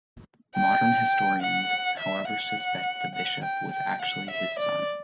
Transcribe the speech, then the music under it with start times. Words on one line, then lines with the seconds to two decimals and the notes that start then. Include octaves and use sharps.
Modern historians however suspect the bishop was actually his son.
0.56 G5
1.43 F#5
1.99 E5
2.28 F#5
3.15 F#5
3.44 G5
3.73 G5
4.02 F#5
4.30 E5
4.59 D5